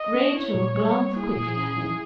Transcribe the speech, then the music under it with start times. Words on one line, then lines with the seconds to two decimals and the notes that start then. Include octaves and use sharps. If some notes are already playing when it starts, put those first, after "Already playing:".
Rachel glanced quickly at him.
Already playing: D#5
0.14 C#4
0.34 E4 C#5
0.54 A#2
0.75 G3
0.95 A#3
1.16 E4 G#4
1.36 A#2
1.57 C#4
1.77 E4